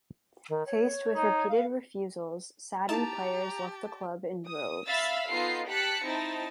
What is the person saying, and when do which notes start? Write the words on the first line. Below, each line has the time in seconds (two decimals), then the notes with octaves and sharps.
Faced with repeated refusals, saddened players left the club in droves.
0.49 D#3
0.66 C#5
1.17 D#4
1.48 F5
2.89 D#4 E4 G4 A5 A#5
4.47 D#6
4.87 E5 F5 B5 E6 A6
5.28 B3 D#4 F4 A4 C7
5.68 G4 A5 F#6 B6 C#7
6.04 C4 D#4 E4 A5